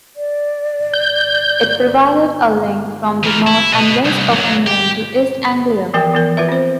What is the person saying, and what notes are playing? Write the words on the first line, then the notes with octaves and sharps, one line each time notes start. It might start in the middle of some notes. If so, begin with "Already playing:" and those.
It provided a link from the north and west of England to East Anglia.
D5
G6
E3 A#4
E4
B4 D#5
C2
B1 F#3
G4
E3 F3 B3 A#4 G5
E3 B3 A#4
F4 B4 E5
C4 C5